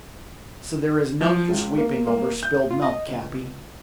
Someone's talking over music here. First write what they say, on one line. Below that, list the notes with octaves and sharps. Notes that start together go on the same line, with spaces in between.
So there is no use weeping over spilled milk, Cappy.
F3
C#2
A#3
A#3
G6
F4
D#5
C#2